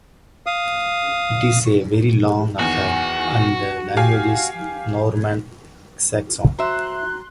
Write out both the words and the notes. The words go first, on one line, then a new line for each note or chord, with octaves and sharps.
It is a very long affair, and the language is Norman-Saxon.
F5 D#6
E2 D#3 F#4
G4 F5 G#5
F#4 C5 E5 A#5 C6 F#6